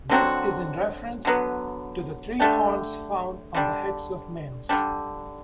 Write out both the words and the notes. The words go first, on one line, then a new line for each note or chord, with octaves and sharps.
This is in reference to the three horns found on the heads of males.
D3 F#3 C4 F#4
D3 F#3 B3
D3 A3 D4 G4
D3 G3 D4
D3 G3 D4